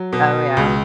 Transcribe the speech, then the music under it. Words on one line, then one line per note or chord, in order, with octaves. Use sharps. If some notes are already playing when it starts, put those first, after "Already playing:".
Oh, yeah.
Already playing: F#3
B2
C#2